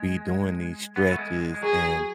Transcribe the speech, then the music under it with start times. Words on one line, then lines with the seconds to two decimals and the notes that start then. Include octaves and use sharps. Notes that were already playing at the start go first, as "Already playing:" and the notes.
be doing these stretches and
Already playing: G#3
0.96 B3
1.12 A3
1.19 G#3
1.41 G#3
1.54 G#3
1.63 F#3 G#4